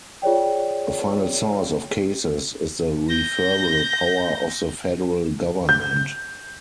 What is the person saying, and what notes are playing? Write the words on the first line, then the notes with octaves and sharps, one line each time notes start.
A final source of cases is the referral power of the federal government.
F4 G#4 C#5 D5 G5
G6 A#6
G6